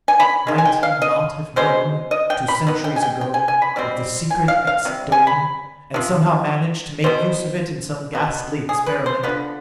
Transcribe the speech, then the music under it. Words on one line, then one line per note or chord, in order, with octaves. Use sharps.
Might he not have known, two centuries ago, of the Secret Exit Dome, and somehow managed to make use of it in some ghastly experiment?
G#5
B5
D#3 G#3
G#5
G5
F5
D#5
B2 G#3 B3 C5
D#5
G5
B5
D#3 B3
G5
G#5
G5
G5
G#5
G#5
B5
B2 G3 C4
G#5
F5
F5
C3 G3
G#5
B5
C3 F3
B2 B3 C5
B2 B3
G#4
B4
C5
D3 F3 B3 B4